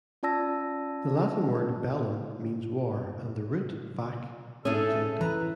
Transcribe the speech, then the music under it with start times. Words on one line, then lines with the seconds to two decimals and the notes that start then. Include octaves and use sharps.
The Latin word "bellum" means war, and the root "vac-" means empty.
0.23 C#4 F4 D5 A5 E6 A#6
4.65 A3 C#4 G#4 A4
5.21 E3 B4 A#5